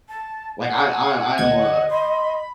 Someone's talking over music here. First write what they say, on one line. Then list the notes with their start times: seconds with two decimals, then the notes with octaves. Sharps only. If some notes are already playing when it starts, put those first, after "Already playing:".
Like, I I I am a
0.09 A5
0.65 F#5 G#5
1.38 D2 D#5 G#6
1.91 B5 C6